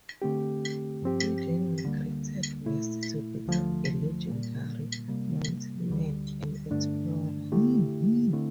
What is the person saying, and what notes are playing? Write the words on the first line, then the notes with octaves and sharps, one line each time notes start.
He then migrated west to become a legendary "mountain man" and explorer.
D3 A3 C4 G4
G2 F3 C4 G4
D2 D3 G3 A#3
A#2 A3 E4
D2 D3 F3 A3
A#2 G3 A#3
C3 G3 A#3
D2 D3 G3
G2 D3 A3 D4
D3 A3 E4 G4
D3 A3 C4 E4